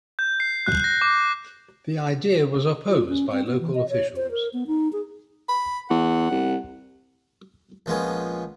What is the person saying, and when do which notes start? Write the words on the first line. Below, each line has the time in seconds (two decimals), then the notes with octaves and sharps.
The idea was opposed by local officials.
0.19 G6
0.40 C7
0.66 F#6
0.84 A#6
1.02 D6
2.89 F4
3.09 C#4
3.32 C4
3.47 B3
3.61 E3
3.75 D#5
3.89 C#5
4.16 C5
4.31 A#4
4.53 B3
4.67 D#4
4.93 G#4
5.48 B5
5.90 E2 F#5
6.31 C2
7.86 A#1 F3 G#3 B3 C#4